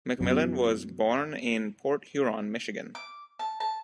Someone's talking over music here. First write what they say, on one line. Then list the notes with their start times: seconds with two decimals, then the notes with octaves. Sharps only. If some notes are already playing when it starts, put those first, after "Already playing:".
McMillan was born in Port Huron, Michigan.
0.20 F#2 B2
2.95 D6
3.39 A5
3.60 A5